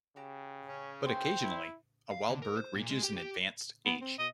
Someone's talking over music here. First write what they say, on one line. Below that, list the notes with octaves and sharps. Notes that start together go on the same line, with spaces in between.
But occasionally, a wild bird reaches an advanced age.
C#3 F#4 G4 A#5
C#4
C4 A4 C5 G5 C#6
E4
F5
D3
A#4
C5
A#2
G#3
G4
G4
B3
C4
B2 D#5